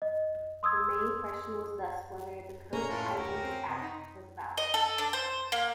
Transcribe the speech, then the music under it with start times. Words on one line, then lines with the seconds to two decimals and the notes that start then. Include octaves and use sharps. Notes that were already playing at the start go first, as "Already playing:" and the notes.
The main question was thus whether the "Coast Islands Act" was valid.
0.02 D#5
0.63 C6 D#6 E6 G#6
2.73 A#3 C#4 B4 A#5
2.89 A2 A3 D4 F4 C6
3.15 D2 F#4 G4 A#4 A#5
3.42 C4
3.68 C3 B3 D#5
3.82 D#4 B5
4.57 D#5
4.74 A4
4.98 D4
5.13 C5
5.52 A#3